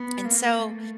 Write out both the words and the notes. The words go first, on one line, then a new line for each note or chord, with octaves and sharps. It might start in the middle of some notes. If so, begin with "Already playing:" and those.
And so
Already playing: B3
A#3
A3